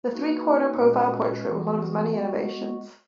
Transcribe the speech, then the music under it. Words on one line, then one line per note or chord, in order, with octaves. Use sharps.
The three-quarter profile portrait was one of his many innovations.
A#3 D#4 F#4 B4
A#2 G#3 C#4 F#4 B4
E3 B3 F#4
G#3 B3 F#4